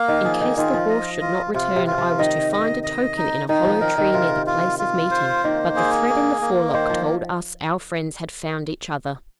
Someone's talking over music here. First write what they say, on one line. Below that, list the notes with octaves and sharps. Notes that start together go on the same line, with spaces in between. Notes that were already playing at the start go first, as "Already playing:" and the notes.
In case the horse should not return, I was to find a token in a hollow tree near the place of meeting; but the thread in the forelock told us our friends had found each other.
Already playing: A#3 F5
D#3
F3 G#4
D#3
D#3 F4
F3
D#5
F4
C3 F4
C3
F4
F3
D#3 D#5
D#5
D#5
D#4
D#3 D#4
F3
D#3 A#4
D#3
C3 F4
F4
F4
C5
D#3 A#3
G#4
A#3
A#3
D#3 C5
F3